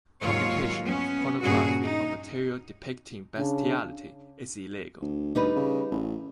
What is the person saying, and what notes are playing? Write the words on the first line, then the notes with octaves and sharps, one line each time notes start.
Publication of pornography or material depicting bestiality is illegal.
D#2 G#2 F#3 F4 C#5
B3 C#4
G2 A#2 C#3 F#4 G#4
D#4
C#3 D4
D2
D2 G3 D#4 B4
C#3
A1